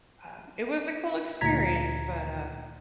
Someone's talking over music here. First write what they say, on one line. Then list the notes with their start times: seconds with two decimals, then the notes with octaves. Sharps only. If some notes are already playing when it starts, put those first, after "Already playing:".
um, it was a cool experience, but, uh,
1.41 D2 A#2 A#5 G#6 B6